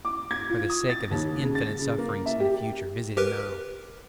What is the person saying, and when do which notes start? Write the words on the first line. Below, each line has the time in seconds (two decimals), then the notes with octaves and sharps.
For the sake of his infinite sufferings in the future visit him now.
0.05 D6
0.31 G#6
0.50 F4
0.70 D#6
0.90 A6
1.11 D#2
1.43 C#3
1.55 A6
1.79 C#3
1.98 A#3
2.26 E5
2.40 G4
3.17 G4 A#4 B4